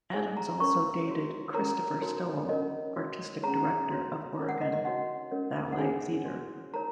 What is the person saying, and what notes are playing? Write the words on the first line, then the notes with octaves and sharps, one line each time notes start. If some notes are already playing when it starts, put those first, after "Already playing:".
Adams also dated Christopher Stowell, artistic director of Oregon Ballet Theatre.
D#4 G#4 C#5 G#5
A#5
C#4 A#4 C#5 C#6
F#4 C#5
C#4 A#4 C#5 A#5
D#4 F#4 A#4 C#5
C#4 A#4 C#5 D#5
F#4 C#5
C#4 G#4 C#5 A#5
F#4 C#5
C#4 A#4 C#5
F#5
D#5
D#5
D#4 F#4 C#5 F#5
C#4 A#4 C#5
F#5
C#4 G#4 C#5 G#5
F#4 C#5
D#4 A#4 C#5 A#5